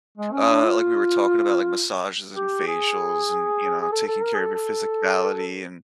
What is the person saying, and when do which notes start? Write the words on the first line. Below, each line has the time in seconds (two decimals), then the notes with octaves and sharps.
uh, like we were talking about, like, massages and facials and, you know, taking care of your physicality and
0.18 G#3
0.33 C#4
0.48 D4
0.64 F4
2.36 G4
2.67 G#4
3.81 G#4
3.92 A4
4.08 A4
4.23 A#4
4.35 G#4
4.39 A4
4.55 A4